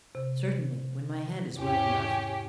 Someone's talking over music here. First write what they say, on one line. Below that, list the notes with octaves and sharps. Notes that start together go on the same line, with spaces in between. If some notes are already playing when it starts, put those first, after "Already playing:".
"Certainly, when my hand is well enough."
C3
E2 G#2 C#4 G4